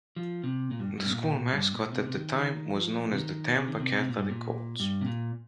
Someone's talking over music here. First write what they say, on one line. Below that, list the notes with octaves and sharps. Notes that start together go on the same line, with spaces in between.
The school mascot at the time was known as the Tampa Catholic Colts.
F3
C3
A#2
G2
G2
C3
A#2
G2
A#2
C3
C3
D#3
D#3
F3
C3
D#3
C3
D#3
C3
C3
A#2
G2
A#2
G2
C3
A#2